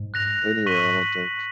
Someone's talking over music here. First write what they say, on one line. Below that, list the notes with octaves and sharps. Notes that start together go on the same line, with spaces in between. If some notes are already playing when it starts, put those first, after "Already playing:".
anywhere, I don't think.
Already playing: G#2
F#6 A#6 F7
C#6 F#6 B6 D#7 F#7